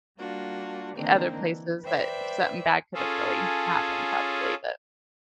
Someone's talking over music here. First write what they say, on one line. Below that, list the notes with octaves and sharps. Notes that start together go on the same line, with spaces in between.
other places that something bad could have really happened probably, but
G3 A#3 D4 F4 F#4
D3 E3 A#3 C4 D4 D#4
E3
B4 C5 D5 E5 G5
C#4 F4 G#4 A4